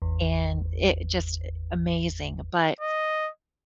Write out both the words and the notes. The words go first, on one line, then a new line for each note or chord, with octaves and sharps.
and it just i amazing, but
G#1 E2
D#5